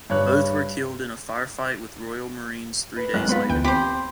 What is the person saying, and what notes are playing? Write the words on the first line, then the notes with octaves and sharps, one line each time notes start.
Both were killed in a firefight with Royal Marines three days later.
G2 C#5 F#6
B4
G#1 F#3 G#3 F#6
B3 F4 B4 B5
D2 E3 G5
C4 G4 C5 B5